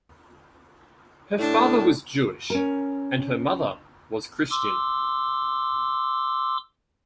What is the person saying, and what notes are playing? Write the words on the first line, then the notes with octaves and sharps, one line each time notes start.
Her father was Jewish and her mother was Christian.
A2 D4
C#4 A#4
C6 D6 E6